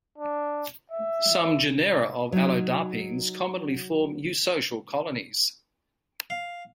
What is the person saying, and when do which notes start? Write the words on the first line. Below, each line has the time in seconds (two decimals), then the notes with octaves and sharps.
Some genera of Allodapines commonly form eusocial colonies.
0.18 D4
0.91 E5
2.32 F#3 D#4
6.30 F5